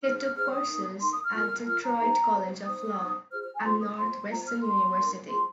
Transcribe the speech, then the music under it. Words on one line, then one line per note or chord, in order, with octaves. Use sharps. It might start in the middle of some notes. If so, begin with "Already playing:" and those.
He took courses at Detroit College of Law and Northwestern University.
D#4 G#4 C5 F6
F6
D#4 G#4 C5 F6
D#6
D#4 A#4
D#4 A#4 C6
D#6
F6
F4 A#4
F4 A#4 F6
A#5
D#4 G#4 C5
D#4 G#4 C5
D#4 C5 D#6
D#4 C5
F4 G#4 C5 F6
F6
G#5
A#5
F4 G#4 C5 C6
D#6
F4 C5 C6
F4 C5 A#5
F6
D#4 A#4 C6
D#4 A#4
F4 G#4 C5 C6